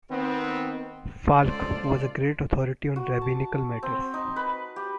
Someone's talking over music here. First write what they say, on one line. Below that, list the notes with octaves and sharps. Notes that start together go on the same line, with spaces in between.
Falk was a great authority on rabbinical matters.
D#3 B3 C4
C#2 F4 A4 C5 D5
F#4
A5
C4
D#4
B4
G4